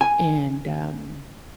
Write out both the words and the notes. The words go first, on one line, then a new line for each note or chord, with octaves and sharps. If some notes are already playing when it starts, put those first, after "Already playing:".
and um
G#5